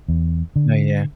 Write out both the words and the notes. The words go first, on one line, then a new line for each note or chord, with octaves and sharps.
Oh yeah.
E2
D3